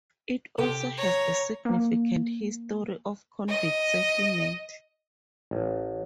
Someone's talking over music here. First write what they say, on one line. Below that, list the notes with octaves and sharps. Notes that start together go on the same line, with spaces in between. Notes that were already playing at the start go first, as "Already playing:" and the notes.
It also has a significant history of convict settlement.
C3 G4 A4
C#5 A#5
A#3
D#5
A1